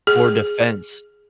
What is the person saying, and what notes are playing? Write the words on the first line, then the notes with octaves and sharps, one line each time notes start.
Or defense.
G#4